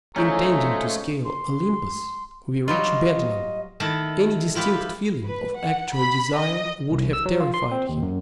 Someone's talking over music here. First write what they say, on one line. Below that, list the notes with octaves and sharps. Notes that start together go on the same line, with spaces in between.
Intending to scale Olympus, we reach Bedlam; any distinct feeling of actual desire would have terrified him.
F3 G#3 A3 C#4 D#4 G#4 A#5
C6
F#3 G3 F4 D#5
D#3 A3 E4 A5
E4 F4 G4 B4
B4
F#5
B5
D#5
C2
E6
F#3
F4
C6
C4
D#2
F#2